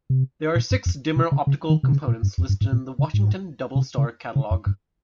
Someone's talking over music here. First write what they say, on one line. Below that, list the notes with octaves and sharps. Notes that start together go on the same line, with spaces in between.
There are six dimmer optical components listed in the Washington Double Star Catalog.
C3
A#2
G2
F2
C3
C#3
C#3
D#3
C3
C#3
A#2
G2
F2
G2
G#2
A#2
C#3
G#2
C3
C#3
C#3
F2
G2